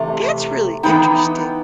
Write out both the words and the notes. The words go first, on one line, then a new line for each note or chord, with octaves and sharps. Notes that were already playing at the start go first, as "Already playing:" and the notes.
That's really interesting.
Already playing: C3 E3 A3
E3 G3 B3 D#4 G5